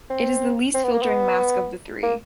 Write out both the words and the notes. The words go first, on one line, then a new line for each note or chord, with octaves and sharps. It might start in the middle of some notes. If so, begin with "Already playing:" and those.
It is the least filtering mask of the three.
C4
C4
B3
A#3
B3
A#3